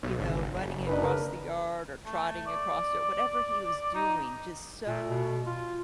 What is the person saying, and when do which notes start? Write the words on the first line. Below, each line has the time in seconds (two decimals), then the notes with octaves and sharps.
you know, running across the yard or trotting across it, whatever he was doing, just so
0.03 B1
0.18 G#1 C#3
0.55 F#1
0.87 D4 D#4 B4
1.02 C#3 A#4 B4
2.06 A3
2.47 D5
3.94 D#4
4.87 A#2
5.08 B2
5.46 F4